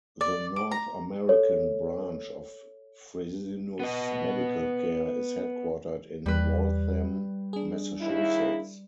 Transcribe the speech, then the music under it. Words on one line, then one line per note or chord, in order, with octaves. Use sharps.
The North American branch of Fresenius Medical Care is headquartered in Waltham, Massachusetts.
D5
D6
A#5
A4 C#5
B3 D#5
E2 G3 B4
D4 G#4
D#2 D#3 E4